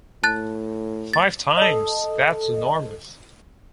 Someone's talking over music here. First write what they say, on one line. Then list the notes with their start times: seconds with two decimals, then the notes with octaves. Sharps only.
Five times? That’s enormous!
0.23 A2 A5 F#6 A6
1.13 A6
1.57 A4 D#5